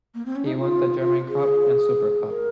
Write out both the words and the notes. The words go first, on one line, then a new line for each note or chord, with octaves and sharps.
He won the German Cup and Super Cup.
A#3
C4
C#4
D#4
F4
F4
G#4
A#4